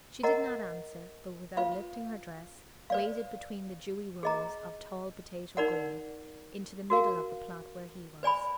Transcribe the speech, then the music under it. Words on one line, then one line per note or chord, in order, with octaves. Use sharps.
She did not answer, but, without lifting her dress, waded between the dewy rows of tall potato-green into the middle of the plot where he was.
A#4 D#5 F#5 A#5
F4 B4 F5
B4 D5 F5
G#4 D#5 A#5
D#4 A#4 D5 F#5
F#4 A#4 F5
B4 D5 G#5 B5